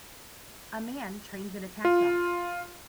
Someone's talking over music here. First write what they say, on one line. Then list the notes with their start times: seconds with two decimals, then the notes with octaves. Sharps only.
A man trains an attack dog.
1.85 F4